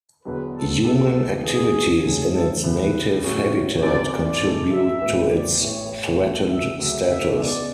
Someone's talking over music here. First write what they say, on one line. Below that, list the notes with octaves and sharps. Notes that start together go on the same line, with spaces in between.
Human activities in its native habitat contribute to its threatened status.
E1 E2 D3 F#3 B4
A4
C#2 B2 F#3 A4
E2 C#3 E3 G#4
G#2 F#3 A3 C#4 G#4
A4
E1 D2 C#3 B4
A2 F#3 C#4 G#4 C#5
G#1 F#2 E3 D5
D5
G#2 G#3 D4 A4
E5
B1 A2 E3
D5
A1 A2 E3 C#5
B1 B2 F#3 A3
E5
D2 C#3 F#3
E5
E2 C#3 G#3 D5